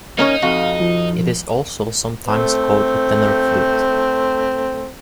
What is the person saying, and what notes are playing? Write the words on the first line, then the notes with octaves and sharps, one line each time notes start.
It is also sometimes called a tenor flute.
A#3 C#4 D#4 C#5
F2 F#4 F5
F3
A3 C4